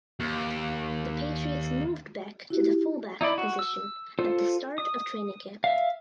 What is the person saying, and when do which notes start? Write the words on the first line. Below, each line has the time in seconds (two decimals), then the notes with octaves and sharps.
The Patriots moved Beck to the fullback position at the start of training camp.
0.20 D#2
2.50 E4 F#4 G4
3.21 D#4 E4 D5 B5
3.38 F#4
3.59 E6
4.19 F4 A4 C5
4.78 D#6
5.64 E5 F5